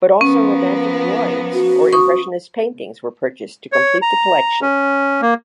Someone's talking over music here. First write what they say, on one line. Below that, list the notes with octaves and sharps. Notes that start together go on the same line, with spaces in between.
But also Romantic drawings or Impressionist paintings were purchased to complete the collection.
F3 A#3 B3 C#4
F#4
C#6 D#6
C#5
A#5
C#4
A#3